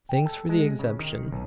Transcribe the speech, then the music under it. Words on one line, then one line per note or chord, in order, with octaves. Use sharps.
Thanks for the exemption.
G5
A4
G#3
C#3
D#3
B1